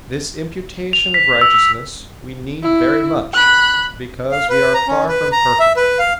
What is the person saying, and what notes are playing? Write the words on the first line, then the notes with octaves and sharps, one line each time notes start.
This imputation of righteousness we need very much, because we are far from perfect.
F7
B6
E6
E6
E4
B5 F#6
F5
B4
A#5
C#4
B4
A#5
E5
B4
F5